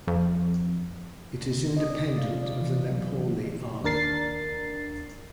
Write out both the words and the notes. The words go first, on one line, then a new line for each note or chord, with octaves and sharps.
It is independent of the Nepali Army.
F2
D3
D#5
D5
C3
F5
F4
D5
E3
F#3
E3
D#2 D4 A#4 A6 C7